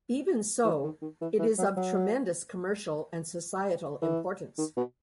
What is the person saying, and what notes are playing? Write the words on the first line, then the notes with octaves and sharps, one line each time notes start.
Even so, it is of tremendous commercial and societal importance.
E3
D#3
D#3
E3
E3
F#3
F#3
E3
D#3
B2